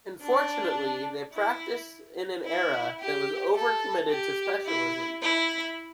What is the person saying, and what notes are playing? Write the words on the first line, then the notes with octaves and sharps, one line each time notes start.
Unfortunately, they practiced in an era that was over-committed to specialism.
D4
E4
E4
G4
A4
G4
E4
E4